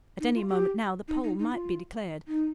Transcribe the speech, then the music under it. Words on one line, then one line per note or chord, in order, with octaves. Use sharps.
At any moment now the poll might be declared.
D#4
F4
G4
D#4
D#4
D#4
F4
D#4